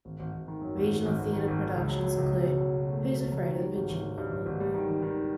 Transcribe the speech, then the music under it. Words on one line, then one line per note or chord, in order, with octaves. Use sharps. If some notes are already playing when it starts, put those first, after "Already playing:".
Regional theatre productions include: Who's Afraid of Virginia Woolf?
G#1
G#1
G#1
D#3
F#2
G#1
D#3
G#1
G#1
D#3
G#1
D#3
C#2
F#3
F#3
C#2
B2
C#2
F#3
B2
A3
F#3
C#2
F#3
D#3
G3
G#1
G#1
G3
G2
G2
G#1
G3
D#3
D#3
D#3